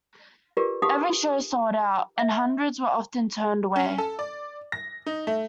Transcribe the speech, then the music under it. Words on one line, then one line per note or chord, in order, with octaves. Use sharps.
Every show sold out, and hundreds were often turned away.
F4 G4 G#4 A#4 B4 D5
D#4 G4 G#4 F5 F#5 D#6
E5
C#4
A4
D5
A#6
D#4
A3